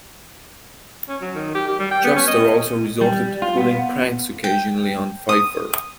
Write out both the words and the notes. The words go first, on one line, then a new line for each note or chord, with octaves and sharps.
Juster also resorted to pulling pranks occasionally on Feiffer.
C#4
F#3
D#3
G4
G4
G3
G5
B3
C#4
D#5
G3
F4
B3
G5
D#6